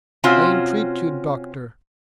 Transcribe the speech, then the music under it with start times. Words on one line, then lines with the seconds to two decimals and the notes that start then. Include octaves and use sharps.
"I entreat you, doctor!"
0.24 C3 C4 C#4 F4 F#4